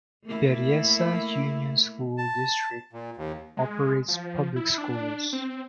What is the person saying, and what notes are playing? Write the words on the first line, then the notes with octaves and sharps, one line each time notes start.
Berryessa Union School District operates public schools.
A3 A#3 E4
A5
A#2
D#2
G#3
F3
E4
D4
C4